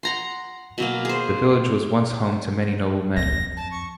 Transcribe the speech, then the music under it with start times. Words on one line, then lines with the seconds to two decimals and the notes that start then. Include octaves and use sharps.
The village was once home to many noble men.
0.03 F#5 A#5 C6
0.78 B2 F#3 A#3
1.05 G#4 C5
3.16 C#2 A#2 A#6
3.32 F2
3.57 A5
3.71 C#6